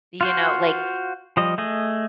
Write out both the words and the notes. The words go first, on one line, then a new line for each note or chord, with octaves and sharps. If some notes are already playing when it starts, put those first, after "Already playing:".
you know like,
F4 F#4 C5
F3 G3 D#5
A3 G#4 D#5